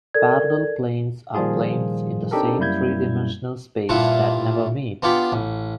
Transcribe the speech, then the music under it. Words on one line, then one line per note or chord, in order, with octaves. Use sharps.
Parallel planes are planes in the same three-dimensional space that never meet.
A4 A#4 D5 G#6
A#2 D#3 F3 G3 F4 G#4
C4 D4 D#4 G4 A4 A#4
F#2 G3 A#3 E4 G6 G#6
G2 A#2 E4 F4 F#5 A5
B3 D4 F4 G4 F#5 B5
A1